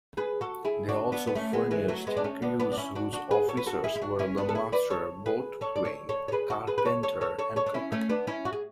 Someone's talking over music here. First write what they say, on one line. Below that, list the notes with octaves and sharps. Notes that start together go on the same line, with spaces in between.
They also furnished crews whose officers were the Master, Boatswain, Carpenter and Cook.
G#4 B4
F#4 A4
E4 G#4
D4 F#4
B3 D4
B3
A3 C#4
G#3 B3
E3 G#3
F#3 A3
G#3 B3
D4
A3 C#4
B3 D4
B3 D4
D4
C#4 E4
D4 F#4
D4 F#4
G#4 B4
A4 C#5
B4
F#4 A4
E4 G#4
E4
D4 F#4
C#4 E4
B3 D4
A4
E4 G#4
B4 D5
A4 C#5
G#4 B4
A4 C#5
D5
A4 C#5
A4 C#5
C#5
G#4 B4
F#4 A4
G#4 B4
B4
A4 C#5
A4 C#5
A4 C#5
A4 C#5
A4 C#5
D4
C#4 E4
A3 C#4
B3 D4
C#4 E4
F#4
G#4